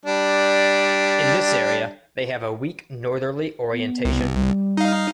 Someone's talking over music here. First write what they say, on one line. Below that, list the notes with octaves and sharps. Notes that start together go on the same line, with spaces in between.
In this area, they have a weak northerly orientation.
G3 D4
B3
C2
G3
D#4 F5